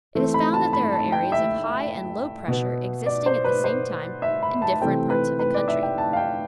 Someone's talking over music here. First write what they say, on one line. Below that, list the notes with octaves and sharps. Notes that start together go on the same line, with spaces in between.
It is found that there are areas of high and low pressure existing at the same time in different parts of the country.
E3 A3 C4
B5
A5
B5
A5
G5
E5
B2 B3
D5
C5
B4
C5
E5
B5
A5
C3 E3 A3 C4 G5
B4
B4
D5
E5
G5
A5
F5
G5